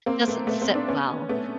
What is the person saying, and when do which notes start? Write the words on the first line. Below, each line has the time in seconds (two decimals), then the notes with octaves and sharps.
doesn't sit well,
0.06 A#3 C4
0.28 A3 B3
0.47 A3 B3
0.61 A#3 C4
0.74 C4 D4
0.88 B3 C#4
1.29 A3 B3